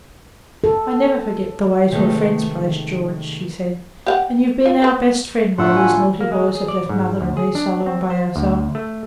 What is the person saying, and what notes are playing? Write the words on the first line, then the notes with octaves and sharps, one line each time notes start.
'I never forget the way to a friend's place, George,' she said, 'and you've been our best friend while these naughty boys have left mother and me so long by ourselves.
A4
C3 D#3 G#3 A3 B3 D#4
G4 F5 F#5
F4
B4 C5
A2 F3 A3 D4 F4 F#5 C6 E6
G#5
A#3
G#3
G#4
D5
G#2
D2
G#4
D4
C4
C5
D2
A3